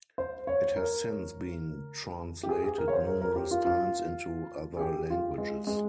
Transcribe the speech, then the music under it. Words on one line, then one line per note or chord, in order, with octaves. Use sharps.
It has since been translated numerous times into other languages.
C5
C#5
A#4
G4
G#4
G#4
A#4
C#5
C5
A#4
A#4
G4
F4
F4
G#4
G4
F4
G#3
G#3